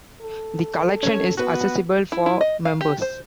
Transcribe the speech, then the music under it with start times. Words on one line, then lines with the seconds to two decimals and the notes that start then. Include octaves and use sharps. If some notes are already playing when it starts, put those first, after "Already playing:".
The collection is accessible for members.
0.22 A4
1.03 C#4 C#5
1.37 B3 F#4 B4
2.12 E4
2.26 E4
2.41 D#5
2.65 F5
2.81 G4
3.02 C5